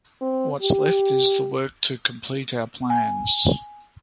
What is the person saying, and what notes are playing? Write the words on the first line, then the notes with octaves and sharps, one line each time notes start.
What's left is the work to complete our plans.
C4
G4
G#5